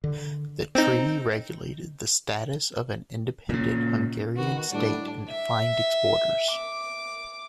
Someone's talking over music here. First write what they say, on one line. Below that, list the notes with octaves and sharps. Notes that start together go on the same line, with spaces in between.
The treaty regulated the status of an independent Hungarian state and defined its borders.
D3
C4 D#4
A#2 C#3
D#3 B3 F#4
A2 G3 D4
E5
D6